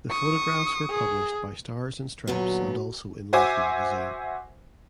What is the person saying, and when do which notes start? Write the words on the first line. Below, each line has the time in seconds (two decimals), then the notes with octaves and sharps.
The photographs were published by Stars and Stripes and also in Life magazine.
0.10 C#6 D#6
0.90 G#4
2.27 A#2 D3 F#3 B3 F#4
3.33 F#4 C5 E5 G#5 D6